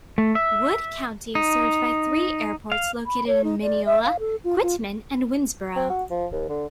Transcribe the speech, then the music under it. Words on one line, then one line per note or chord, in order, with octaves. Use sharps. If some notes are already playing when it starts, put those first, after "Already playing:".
Wood County is served by three airports located in Mineola, Quitman, and Winnsboro.
A3
E5
D#4
F5
B5
C#5
D#4
D5
E5
F5
A4
F4
F4
C4
F#4
F3
D#2
D3